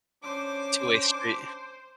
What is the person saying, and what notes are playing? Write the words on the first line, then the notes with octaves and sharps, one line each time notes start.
two way street.
C#4 D4 C5 C6 D6